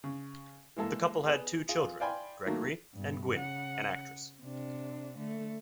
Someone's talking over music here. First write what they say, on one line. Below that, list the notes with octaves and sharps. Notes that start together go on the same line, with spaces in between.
The couple had two children, Gregory and Gwynne, an actress.
C#3
E3 G#3 A#3 A4
B3 G#4
F4 G#4
D5 F5 G5 G#5 B5 C6
D#3 F#3 A3 A#3
G2 B2
C#3 F#5
C3 D4
D3 A3